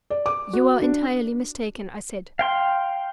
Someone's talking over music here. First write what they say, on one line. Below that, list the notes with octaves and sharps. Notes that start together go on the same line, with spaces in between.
"You are entirely mistaken," I said.
D5
D6
F#4
D4
F5 G5 C6